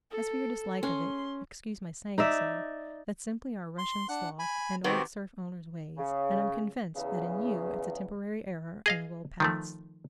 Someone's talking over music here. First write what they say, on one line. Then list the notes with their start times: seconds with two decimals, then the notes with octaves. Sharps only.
"As for your dislike of it, excuse my saying so, that's simply our Russian sloth and old serf-owner's ways, and I'm convinced that in you it's a temporary error and will pass."
0.11 A4
0.83 C#4 C6
2.18 D#4 D5 E5
3.78 C6
4.09 D4 F#5 F#6
4.39 G#5 B5
4.84 C3 D#3 B3 C4 F#4
5.97 C#3
6.96 E2 C#3
8.86 G#4 D#5 F5
9.40 D#3 F3 A3